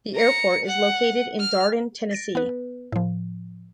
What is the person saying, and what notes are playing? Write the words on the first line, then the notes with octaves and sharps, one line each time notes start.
The airport is located in Darden, Tennessee.
A#5 C#7
F#5
F6
A6 A#6 D7
B3 B4
A2 F3